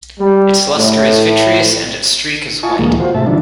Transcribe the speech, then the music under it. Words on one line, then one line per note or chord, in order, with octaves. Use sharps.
Its luster is vitreous and its streak is white.
G3
A2
E4 F4 D#5 G#5 A5 C#6
D2 A#2 E3 G3 G#3 A#3
F4 F#4 C5
G#2 C3 A3 E5 A5
D3 D#3 F3 F#3 D4 E4